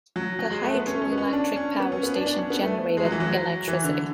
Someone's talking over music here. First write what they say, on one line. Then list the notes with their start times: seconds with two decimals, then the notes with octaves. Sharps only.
The hydroelectric power station generated electricity.
0.16 F#3
0.39 F#3
0.51 G#3
0.63 A3
0.74 B3
0.87 C#4
1.02 C#4
1.12 B3
1.17 C#4
1.33 D4
1.56 C#4
1.80 B3
1.92 C#4
2.03 B3
2.15 D4
2.27 D4
2.39 C#4
2.50 B3
2.62 A3
2.97 G#3
3.05 F#3
3.12 E3
3.20 F#3
3.68 E3
3.84 D3